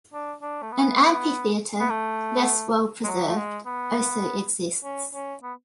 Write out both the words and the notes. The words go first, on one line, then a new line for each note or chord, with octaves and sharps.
An amphitheatre, less well preserved, also exists.
D4
D4
A3
B3
B3
A3
G#3
F#3
A3
G#3
B3
C#4
C#4
B3